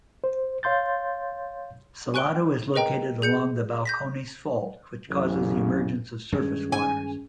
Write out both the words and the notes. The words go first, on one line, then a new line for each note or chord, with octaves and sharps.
Salado is located along the Balcones Fault, which causes the emergence of surface waters.
C5
C#5 F5 C6 G6 A6
G#5 C#6 F#6 D7 G7
G#4 A#4 B4 D#5 G5 A#5
G#4 G6 C#7
G6 A#6 B6
A1 F#2 C#3
G2 D#3 G#3 C#4 G#4
G#5